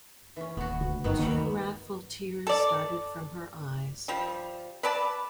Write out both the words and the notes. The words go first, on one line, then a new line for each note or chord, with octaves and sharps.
Two wrathful tears started from her eyes.
E3 C#4
D#1 B3 F#4
D2
G1 D#3 F#3 B3
D#2 F#3 G3 B3
A4 D5
F3 G3
B4 D5 A5